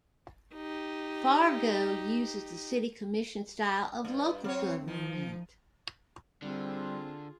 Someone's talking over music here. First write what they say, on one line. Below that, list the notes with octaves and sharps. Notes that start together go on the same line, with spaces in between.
Fargo uses the city commission style of local government.
D#4 G4
G2
F#3 C4 C#5
D#3 F3
D3 G3 C4 F4 G#4